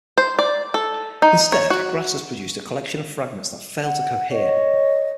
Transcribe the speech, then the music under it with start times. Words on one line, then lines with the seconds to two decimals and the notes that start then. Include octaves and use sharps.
Instead Grass has produced a collection of fragments that fail to cohere.
0.18 C5
0.39 D5
0.74 A4
1.22 D#4
1.52 C#5
1.70 F#4
3.83 F#5
4.32 C#5 D#5